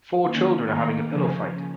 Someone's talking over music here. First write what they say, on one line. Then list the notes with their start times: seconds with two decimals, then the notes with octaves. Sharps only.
Four children are having a pillow fight.
0.24 D#3 A#3 C#4
0.66 D#3 A#3 D#4
1.07 C#3 F3 C#4